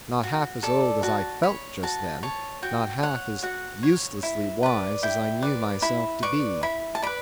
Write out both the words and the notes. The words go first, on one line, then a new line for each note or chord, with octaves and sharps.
Not half as old as I felt just then; not half as uselessly wise as I knew myself to be.
F#4
A4 D5
F#4 A5
C#5 B5
F#4 A5
C#5 A5
F#4 G5
C#5 F#5
F#4 F#5
C#5
E4
B4 D5
E4 G5
B4 D5
E4 B5
B4 D5 C#6
E4 B5
A5
B4 D5 B5